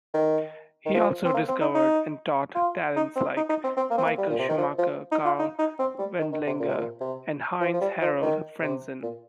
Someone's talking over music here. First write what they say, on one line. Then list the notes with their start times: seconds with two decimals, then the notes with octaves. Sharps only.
He also discovered and taught talents like Michael Schumacher, Karl Wendlinger, and Heinz-Harald Frentzen.
0.14 D#3
0.85 D#3
0.94 F3
1.25 C4
1.34 A#3
1.48 C4
1.61 D#4
1.74 D#4
2.55 F4
2.96 D#4
3.16 C4
3.37 D#4
3.49 D#4
3.64 C4
3.77 C4
3.90 A#3
3.98 C4
4.04 A#3
4.18 G3
4.30 A#2
4.39 C3
4.48 D#3
4.58 F3
4.78 F3
5.12 D#4
5.25 F4
5.39 D#4
5.59 D#4
5.79 C4
5.99 G3
6.19 D#3
6.32 D#3
6.47 C3
6.60 A#2
6.69 C3
6.77 A#2
7.00 C3
7.61 F3
7.74 F3
7.81 G3
8.01 F3
8.22 D#3
8.61 C3
9.03 A#2